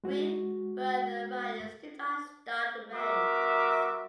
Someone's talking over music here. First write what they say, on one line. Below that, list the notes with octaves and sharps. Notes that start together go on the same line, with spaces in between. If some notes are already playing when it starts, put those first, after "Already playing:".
Three further riders did not start the race.
G#3 F#4
G3 B3 F#4 A#4 E5 D6